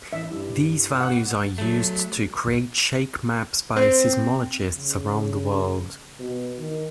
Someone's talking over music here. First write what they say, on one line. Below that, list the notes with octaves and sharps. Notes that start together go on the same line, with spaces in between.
These values are used to create shake maps by seismologists around the world.
A1 E5
G2 G3 E4
F#5
F#3 A3
C4
C#3
B2
D#3